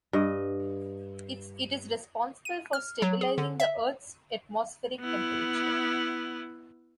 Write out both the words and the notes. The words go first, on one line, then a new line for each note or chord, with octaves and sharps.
It is responsible for stabilizing the Earth's atmospheric temperature.
G2 D#5
D#7
F6
F#3
G#4
D3
E5
B3 E4